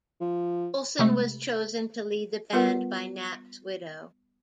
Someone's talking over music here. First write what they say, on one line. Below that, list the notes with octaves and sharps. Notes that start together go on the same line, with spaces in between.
Olsen was chosen to lead the band by Knapp's widow.
F3
C3 G#3 A3
G3 B3 F4 A#4 B4 F#5